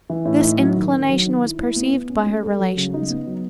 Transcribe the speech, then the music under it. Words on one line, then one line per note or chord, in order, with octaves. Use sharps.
This inclination was perceived by her relations.
E3
A2
D#4
F#3
D#3
D#3
F#3
D#3
E4
E4
B3
B3
C#4
G#3
A4
F#3
C#3
D#4
B3
F#3